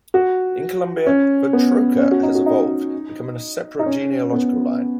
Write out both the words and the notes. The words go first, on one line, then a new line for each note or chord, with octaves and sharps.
In Colombia the "trocha" has evolved, becoming a separate genealogical line.
F#4
C#4
B3
C#4
F#4
D#4
F#4
D#4
D#4
C#4
B3